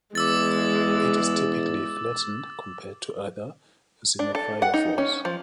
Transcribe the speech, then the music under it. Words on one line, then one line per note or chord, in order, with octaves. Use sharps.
It is typically flattened compared to other xenophyophores.
E2 G#3 D6 E6 A6
D4
A4
F#5
D#4
C#4
F3